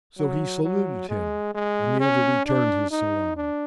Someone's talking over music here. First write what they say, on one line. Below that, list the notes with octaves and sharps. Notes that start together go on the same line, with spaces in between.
So he saluted him and the other returned his salam.
F#3
F#3
G#3
G#3
C#4
D4
D#4
D4